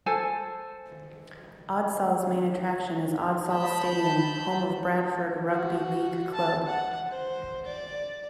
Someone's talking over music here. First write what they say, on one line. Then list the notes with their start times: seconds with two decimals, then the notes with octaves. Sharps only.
Odsal's main attraction is Odsal Stadium, home of Bradford rugby league club.
0.06 A4 C5 G#5 A5
3.51 A5 B5 G6
5.50 F#4
6.35 A5
6.67 F#5
7.09 C5
7.65 D5